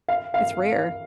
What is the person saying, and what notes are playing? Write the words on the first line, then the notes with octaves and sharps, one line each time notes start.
It's rare.
F5
F5